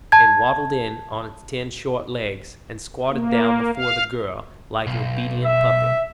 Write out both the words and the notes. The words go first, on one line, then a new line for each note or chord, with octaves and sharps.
It waddled in on its ten short legs, and squatted down before the girl like an obedient puppy.
A5 G#6
A#3
F5
B1
E5